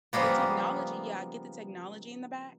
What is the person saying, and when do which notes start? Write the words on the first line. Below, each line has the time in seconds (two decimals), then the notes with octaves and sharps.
The technology, yeah, I get the technology in the back,
0.13 C#3 F3 G3 A#3 B3